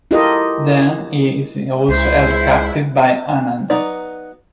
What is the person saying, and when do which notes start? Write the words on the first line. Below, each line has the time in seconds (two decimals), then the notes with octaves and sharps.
Then he is also held captive by Anand.
0.11 E4 F4 G4 A4 A#4 D#5
1.89 C#2 E4 C5
3.70 F#3 B3 D#4 D5